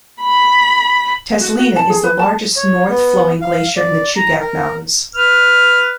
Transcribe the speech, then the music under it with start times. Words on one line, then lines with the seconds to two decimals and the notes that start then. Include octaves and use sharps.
Tazlina is the largest north-flowing glacier in the Chugach Mountains.
0.21 B5
1.41 F#4
1.59 F#4
1.76 A5
1.90 G#4
2.04 B4
2.19 A5
2.56 C#5
2.90 B3
3.42 F5
3.76 D5
4.16 A#5
4.40 A#4
5.15 B4 F6